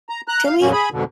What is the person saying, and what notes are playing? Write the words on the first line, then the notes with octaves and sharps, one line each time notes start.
to me
A#5
A#5 F#6
F5
F2 A#2 F#3 A#3 C#4
G#4 B5
F2 G#2 B2 D3